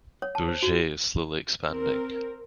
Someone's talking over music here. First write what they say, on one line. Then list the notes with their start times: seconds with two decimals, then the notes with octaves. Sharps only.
Bourget is slowly expanding.
0.22 C#5
0.35 A5
0.48 C5
0.62 F#4
1.69 C4 A#4